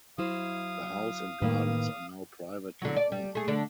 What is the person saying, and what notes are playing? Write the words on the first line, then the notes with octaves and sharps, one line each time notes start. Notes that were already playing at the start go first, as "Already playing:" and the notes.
The house and gardens are now privately owned.
F#3 E4 C5 F5 D#6
A2 D#3 A#3 B4
D3 F#3
D5
G3
A3 G#4
D3 D4